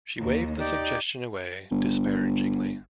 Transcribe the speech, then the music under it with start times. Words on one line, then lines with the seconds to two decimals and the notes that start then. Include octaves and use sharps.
She waved the suggestion away disparagingly.
0.17 D#2
0.59 D#4 G4 D5
1.71 G1